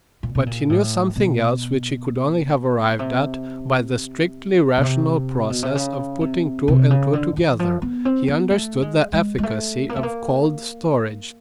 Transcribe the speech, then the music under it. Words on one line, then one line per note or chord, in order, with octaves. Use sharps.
But he knew something else, which he could only have arrived at by the strictly rational process of putting two and two together--he understood the efficacy of cold storage.
A#2
B2
A#2
A2
B2
C3
B2
C3
B2
C3
C#3
C3
C3
C#3
D3
E3
F3
B3
C4
B3
A3
G#3
G#3
G#3
A3
A#3
A3
A#3